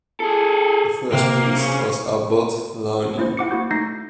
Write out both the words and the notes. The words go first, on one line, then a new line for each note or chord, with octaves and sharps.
The first priest was Abbot Launay.
G#4 A4
C3 A#3 F6
C#3
A#3 C#4 E4 F4 C5
E4 F#5 D6 C#7
A#3 E4 F#4 G6
A3 D#4 G6 A#6 C7